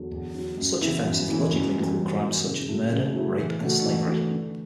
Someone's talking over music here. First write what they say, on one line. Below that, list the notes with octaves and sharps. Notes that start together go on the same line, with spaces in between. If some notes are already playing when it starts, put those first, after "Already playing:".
Such offenses logically include crimes such as murder, rape and slavery.
Already playing: E2 D3 F#3
E2
D3 F#3
F#2
E3 B3 E4
F#2
E3 B3 E4
F#2
E3 G3 B3
F#2
E3 G3 B3
C#3
F#3 A3 E4
C#3
F#3 A3 E4
E3
A3 D4 F#4
E3
A3 D4 F#4
D3